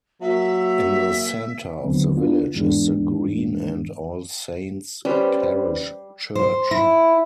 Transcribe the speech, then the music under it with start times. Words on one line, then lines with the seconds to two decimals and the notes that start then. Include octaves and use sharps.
In the centre of the village is the green and All Saints' parish church.
0.21 F#3 A#3 E5
1.84 D#2 D3 F#3 B3 C4
2.17 B3 D4 E4 F4
2.54 E2 G#2 E3 G#3 B3 D4
5.05 G3 C#4 B4 C5
6.35 C5
6.71 E4